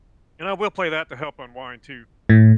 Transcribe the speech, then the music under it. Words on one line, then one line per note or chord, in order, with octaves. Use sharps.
And I will play that to help unwind too.
A2